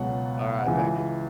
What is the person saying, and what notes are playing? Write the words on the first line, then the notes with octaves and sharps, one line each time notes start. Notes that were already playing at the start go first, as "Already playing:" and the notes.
Alright, thank you.
Already playing: C#2 B2 F#3 F#5
F#5
C#2 C#3 E3 G#5